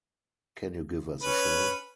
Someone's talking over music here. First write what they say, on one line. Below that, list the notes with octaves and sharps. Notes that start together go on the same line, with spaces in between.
Can you give us a show?
C#4 B4